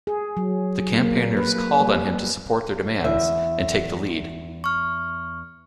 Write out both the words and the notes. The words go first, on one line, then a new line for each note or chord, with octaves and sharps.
The campaigners called on him to support their demands and take the lead.
G#4
F#3
A#3
B4
G3
E2 E5
C#6 F6